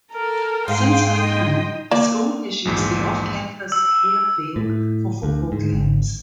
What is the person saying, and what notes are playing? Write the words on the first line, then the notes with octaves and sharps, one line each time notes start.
Since opening, the school has used the off-campus Hare Field for football games.
A4 A#4
G#2 F5 G5 C6 D#6
D#5
A#3 D5
A#1 E2 G#2
E6
A2
D2
G#2
G#1